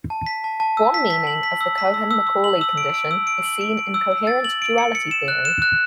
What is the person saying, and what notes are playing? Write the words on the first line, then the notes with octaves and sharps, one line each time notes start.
One meaning of the Cohen-Macaulay condition is seen in coherent duality theory.
A5
B6
A5
A5
E6
B6
B6
F#7
B6
E6
B6
E6
E6
E6
F#7
E6
D7
D7
E6
D7
F#7
D7
D7
E6
E6
A6
F#7
D7
C#7
C#7
E7
F#6
E7
F#6